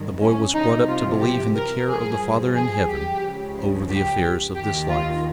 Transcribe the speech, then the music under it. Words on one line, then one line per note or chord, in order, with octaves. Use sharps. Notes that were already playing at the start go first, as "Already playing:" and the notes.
The boy was brought up to believe in the care of the Father in Heaven over the affairs of this life.
Already playing: G2 D#3
C#4
C2 C3 F3 D#4
F4
G4
A#4
G2 F3 G#4
G#4
G4
C#2 C#3 F3
G4
D#2 D#3 G4
F4